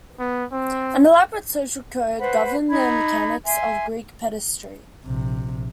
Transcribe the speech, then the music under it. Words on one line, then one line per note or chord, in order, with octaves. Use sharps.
An elaborate social code governed the mechanics of Greek pederasty.
B3
C4
B4 C5 F#5 B5
D#4 B5 G#6
E5 G#5 C6
A#1 C3